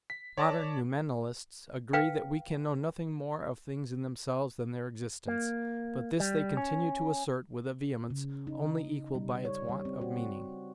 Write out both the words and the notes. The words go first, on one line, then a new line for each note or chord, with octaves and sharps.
Modern Noumenalists agree that we can know nothing more of "things in themselves" than their existence, but this they continue to assert with a vehemence only equalled by its want of meaning.
B6
C#5 D5 A5 D6 A#6
B4 F5 G5
A#3
G3
C#4
C#3
D#4
G3
C#5
G3
C4
F#4